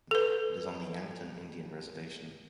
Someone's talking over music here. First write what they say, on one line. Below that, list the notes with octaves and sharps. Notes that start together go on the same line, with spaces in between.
It is on the Yankton Indian Reservation.
A4 B4